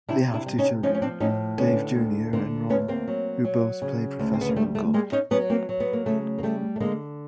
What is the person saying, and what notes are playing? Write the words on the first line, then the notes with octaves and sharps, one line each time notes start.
They have two children, Dave Junior and Ron, who both play professional golf.
C3 D4 E4
D4 E4
G3
C#4 D#4
F3 C#4 D#4
C#4
C4 D4
A2 C#4 D#4
D3 B3 C#4
D2
D3 A#3 C4
D2 B3 C#4
A#3 C4
F#3
F#3
C#3
D2
C4
B3
A#3
G3 A3
A3
G3 G#3 A#3
C#4 D#4
F#3 B3 C#4
A#3 C4
F#3
B3
A#3
C#3 A3
A#3
G3 A3
A3
D3 G#3 A#3